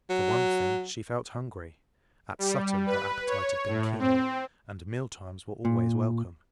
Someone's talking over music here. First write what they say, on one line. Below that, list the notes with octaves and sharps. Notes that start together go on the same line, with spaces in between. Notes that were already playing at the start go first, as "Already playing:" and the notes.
For one thing, she felt hungry; at Sutton her appetite had been keen, and meal-times were always welcome.
F#3
G3
B4
C#5
A2
C4
A#2